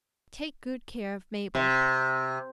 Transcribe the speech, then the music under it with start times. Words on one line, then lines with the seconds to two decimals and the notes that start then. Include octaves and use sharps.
Take good care of Mabel.
1.55 C3